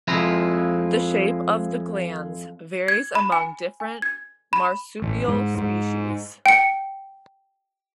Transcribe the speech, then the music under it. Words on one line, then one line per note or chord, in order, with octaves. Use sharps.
The shape of the glans varies among different marsupial species.
F2 F3 G#3 E4 A#5
G#6
B5
G#5
G#5
G#6
B5
A1
G#2
G#2
G5 C#7